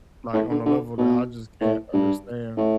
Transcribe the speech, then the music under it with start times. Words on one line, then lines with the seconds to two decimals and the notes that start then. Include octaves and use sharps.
like on a level that I just can't understand,
0.33 A2
0.50 D3
0.65 D3
0.97 B2
1.61 A2
1.93 G2
2.57 A2